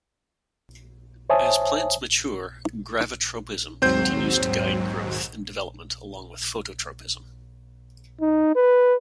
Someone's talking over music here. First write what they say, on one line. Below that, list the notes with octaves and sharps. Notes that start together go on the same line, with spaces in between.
As plants mature, gravitropism continues to guide growth and development along with phototropism.
C5 C#5 E5 G#5 A5 D#6
D#2 G#2 F#3 C4 C5 G6
D#4
B4